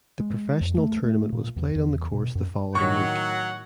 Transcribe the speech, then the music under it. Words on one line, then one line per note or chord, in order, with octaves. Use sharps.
The professional tournament was played on the course the following week.
G#3
F2
A3
A3
A#2
E2
E2
B2
F#2
A2 D#3 F#3 F#5 C#6